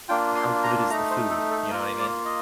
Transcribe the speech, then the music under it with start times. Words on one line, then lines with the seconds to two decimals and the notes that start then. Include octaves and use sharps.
How good is the food? You know what I mean?
0.09 A#3 D4 F4 G5
0.36 C6
0.63 A#5
0.90 A3 A#5
0.93 D#4
1.11 C5
1.30 A4
1.51 A4
1.71 A#3 F4 A#4
1.99 D5
2.25 D#5